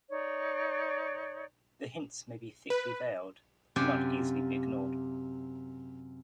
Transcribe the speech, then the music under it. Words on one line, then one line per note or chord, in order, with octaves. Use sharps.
The hints may be thickly veiled, but can not easily be ignored.
D#4 C#5 D5
B4
F#2 C3 F4 D5 F#5 G5